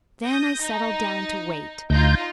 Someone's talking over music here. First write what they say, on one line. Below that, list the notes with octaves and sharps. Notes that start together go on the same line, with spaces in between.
Then I settled down to wait.
D#6 G6 A#6
D#4
D2 D#4 F4 G6